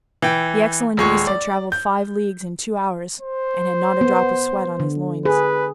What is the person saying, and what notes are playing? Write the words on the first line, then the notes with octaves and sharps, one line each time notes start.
The excellent beast had travelled five leagues in two hours, and had not a drop of sweat on his loins.
E3 G5
D#1 G#3 C#6
D5
G6
C5
B3
D3
G#4 B4